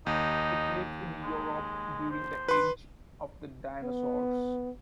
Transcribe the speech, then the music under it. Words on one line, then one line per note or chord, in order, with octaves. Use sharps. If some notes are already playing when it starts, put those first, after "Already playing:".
It lived in Europe during the age of the dinosaurs.
D#2 D#4
G#3
C5
B4 C6
B3